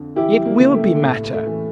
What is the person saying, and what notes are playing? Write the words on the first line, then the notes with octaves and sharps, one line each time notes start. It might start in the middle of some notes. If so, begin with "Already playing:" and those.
'It will be matter.
Already playing: F2 D3
E3 E4 G4
A#3
C#3
A3
A2 A3
A3
E3